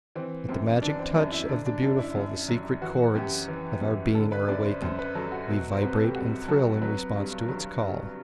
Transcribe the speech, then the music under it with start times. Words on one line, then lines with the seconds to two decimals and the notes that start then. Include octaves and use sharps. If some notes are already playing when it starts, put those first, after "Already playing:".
At the magic touch of the beautiful the secret chords of our being are awakened, we vibrate and thrill in response to its call.
0.16 E3 C4
0.49 F#2 C4
0.82 E3 D4
0.99 C4
1.15 F#2 D4
1.32 E4
1.49 D3 D4
1.66 D4
1.82 F#2 D4
1.99 E4
2.15 F#2
2.48 F#3
2.82 E3 F#4
3.15 F#2 G4
3.48 E3
3.81 F#2
4.15 D3 A4
4.32 B4
4.48 F#2 D5
4.65 C5
4.82 F#2 C5
4.99 B4
5.15 F#3 A4
5.32 F#4
5.48 B2
5.71 C5
5.82 C2 B4
5.94 A4
6.04 G4
6.15 C2 F#4
6.48 F#3 A4
6.82 F#3 B4
7.15 G2
7.48 F#3
7.81 G2